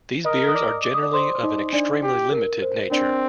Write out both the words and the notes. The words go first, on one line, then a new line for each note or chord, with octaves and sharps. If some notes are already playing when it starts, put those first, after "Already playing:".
These beers are generally of an extremely limited nature.
A#4 D#5 D#6
D#6
D5 D6
D6
D#6
D5 D6
C5 C6
D#4 D#5
D4 D5
G4
A#4
C5
C4 D4 D5